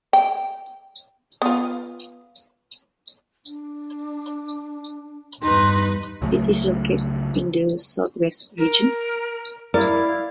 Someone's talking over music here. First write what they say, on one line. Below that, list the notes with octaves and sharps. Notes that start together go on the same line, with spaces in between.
It is located in the South West Region.
G5
B3 F4
D4
E2 G2 D#4 B4 C6
C#2 C#3 F#3 A3
A#4
E4 A#4 D5 F5